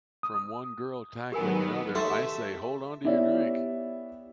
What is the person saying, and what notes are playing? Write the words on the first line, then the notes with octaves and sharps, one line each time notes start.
From one girl tackling another, I say hold on to your drink !
D#6
D#3 F#3 B3 G4 A#4 G#5
A3 G4 E5 C6 C#6
B3 E4 G4 C#5 D5 E5